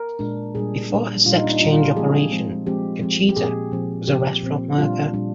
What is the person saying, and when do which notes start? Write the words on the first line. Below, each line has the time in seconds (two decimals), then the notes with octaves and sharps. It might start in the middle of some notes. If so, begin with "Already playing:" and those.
Before her sex-change operation, Cachita was a restaurant worker.
Already playing: A#4
0.19 A#2 G#3 D4
0.55 A#2 G3 D4 G#4
0.90 A#2 G3 D4
1.25 A#2 G3 D4 F4
1.34 D#4
1.43 D4
1.52 D#4
1.60 A#2 G3 D4 F4
1.73 F4
1.85 G4
1.96 F3 G#3 C4 G#4
2.31 F3 G#3 C4
2.67 F3 G#3 C4 G4
3.02 F3 G#3 C4
3.29 G4
3.36 A#2 F3 C4 G#4
3.72 A#2 F3 C4
4.08 A#2 F3 C4 G4
4.43 A#2 F3 C4
4.78 A#2 G3 D4 F4
5.13 A#2 G3 D4